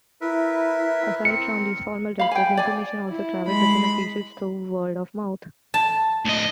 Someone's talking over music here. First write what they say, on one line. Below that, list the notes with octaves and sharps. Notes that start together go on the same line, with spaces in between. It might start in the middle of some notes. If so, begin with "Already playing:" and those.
Aside from these formal records, information also travelled between officials through word of mouth.
E4 A#4 B4 E5
C4 A#4 C#7
F5 B5
G5 G#5
D5 G#5
E4
G#3 B5
A5
D2 D#5